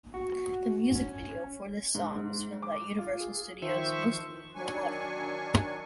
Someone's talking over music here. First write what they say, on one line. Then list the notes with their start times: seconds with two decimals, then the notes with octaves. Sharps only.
The music video for this song was filmed at Universal Studios mostly underwater.
0.14 F#4
0.95 C#4
1.95 G#2
2.16 G#2
2.62 D6
2.99 F4
3.20 G#4
3.62 D#3 F3 C5 E5 C#6
4.55 D#3 F#3 D4 G#5 C#6